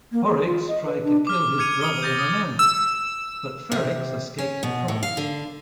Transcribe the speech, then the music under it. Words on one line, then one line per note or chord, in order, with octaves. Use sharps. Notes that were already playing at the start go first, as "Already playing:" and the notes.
Porrex tried to kill his brother in an ambush, but Ferrex escaped to France.
A#3
G#4
F4
D#5
B4
D4
D6 F6
D6 F6 G#6 C#7 D#7 F7
D#6 C#7 G7
D#6 G6 A6 A#6
D#6
E6
C3
C#4
B2
A2
F5
D3